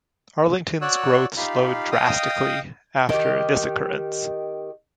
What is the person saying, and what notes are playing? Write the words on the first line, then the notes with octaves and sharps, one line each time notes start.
Arlington's growth slowed drastically after this occurrence.
F#4 C#5 D5 E6 F#6
D#4 F4 G4 F5 B5
D#5 F5 G5 D#6
D#3 G4